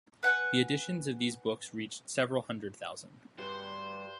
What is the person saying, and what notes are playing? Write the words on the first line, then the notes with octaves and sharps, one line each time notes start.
The editions of these books reached several hundred thousand.
B4 F#5 G#5
G2 G3 F#4 G#4 C5